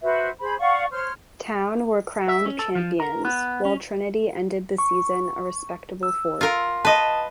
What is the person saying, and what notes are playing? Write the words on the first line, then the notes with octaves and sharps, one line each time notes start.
Town were crowned champions, while Trinity ended the season a respectable fourth.
F#4 B4 C5 E5
G#4 C5 B5
D5 F5 F#5 C#6
C5 C#5 C6 F6
E5
C#4
A4
F3
A#4
B3
C#4
C#6
E6
F4 A#4
B4 D#5 A5 D#6